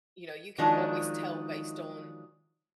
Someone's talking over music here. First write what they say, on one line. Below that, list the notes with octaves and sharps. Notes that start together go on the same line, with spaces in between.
you know, you can always tell based on,
D#3 F3 F#3 G#3 D4 D#4